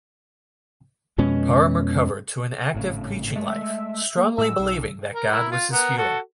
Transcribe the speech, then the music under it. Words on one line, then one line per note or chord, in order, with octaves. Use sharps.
Parham recovered to an active preaching life, strongly believing that God was his healer.
F2 B2 G#3 C#4
G#1 A2 C#3
G#3 A3
E5
A#3
A2 G#3 E6
B1
A#4
E4 A#4 E6
F4
B3 A#4
F#4 A4